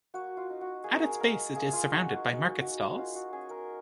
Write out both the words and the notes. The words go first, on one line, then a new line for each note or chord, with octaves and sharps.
At its base it is surrounded by market stalls.
A#3 F#4
F4
D#4
F#4
A#3 G#4
A#4
G#4
A#3 A#4
A#3 G#4
F4
D#4 F#4
F#4
D#4
D#4 F#4
A#3 F4
F#4
C#4 G#4
A#4